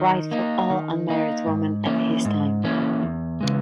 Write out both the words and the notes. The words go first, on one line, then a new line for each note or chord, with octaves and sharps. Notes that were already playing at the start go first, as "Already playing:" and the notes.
Right for all unmarried women at his time.
Already playing: D#3
A#3 D#4
D#3
A#3 D#4
G#2
E3 A#3 C#4 E4
G#2
E3 A#3 C#4 E4
E2
C#3 E3 G#3